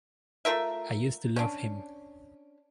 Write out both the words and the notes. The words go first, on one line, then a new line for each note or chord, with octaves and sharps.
I used to love him.
A3 F4 A#4 E5
C#4 D4